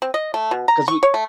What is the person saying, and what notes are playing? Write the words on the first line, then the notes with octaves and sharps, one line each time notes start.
'Cause we
C4
D#5
A3
B2
A#5
C#6
C#5
A3